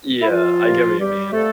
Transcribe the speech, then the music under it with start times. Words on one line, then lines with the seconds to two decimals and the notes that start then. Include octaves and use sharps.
Yeah, I get what you mean.
0.21 E4
0.29 E2 F3 F4
0.63 C3 G3 A#3
0.97 E2 G3 G4
1.32 C3 G3 A3 A#3 A4